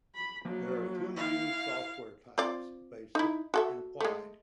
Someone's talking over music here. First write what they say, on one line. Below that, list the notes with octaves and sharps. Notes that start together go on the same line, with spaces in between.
There are two main software types: basic and applied.
B5
F3 F#3 A#3
E4 F5
C4 F4 D5
D#4 E4
F#4 A4 E5
G#3 A3